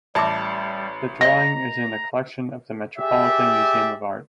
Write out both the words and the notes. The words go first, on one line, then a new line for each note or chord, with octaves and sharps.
The drawing is in the collection of the Metropolitan Museum of Art.
A1 G3 D5 E5 A5 D6
D5 D#5 A#5 A#6
G4 G#4 D5 E5